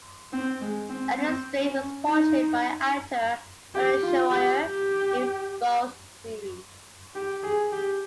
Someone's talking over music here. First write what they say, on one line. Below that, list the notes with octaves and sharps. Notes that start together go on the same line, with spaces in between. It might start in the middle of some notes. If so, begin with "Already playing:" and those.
Enos Strate was portrayed by actor Sonny Shroyer in both series.
C4
G#3
C4
C4
C#4
D#4
G4
F4
G4
G4
G4
G#4
G4